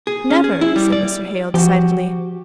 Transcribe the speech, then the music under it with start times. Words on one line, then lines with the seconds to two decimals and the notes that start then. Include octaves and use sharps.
'Never!' said Mr. Hale, decidedly.
0.07 G#4
0.30 C#4
0.44 G#4
0.61 E4
0.76 G3
0.92 D5
1.54 F3 F#4 G4